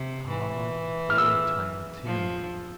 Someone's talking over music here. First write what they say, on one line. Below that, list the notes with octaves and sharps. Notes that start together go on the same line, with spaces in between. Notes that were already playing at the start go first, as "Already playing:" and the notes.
Ah, poor Tiny Tim!
Already playing: C3
E3
F6
E6
F3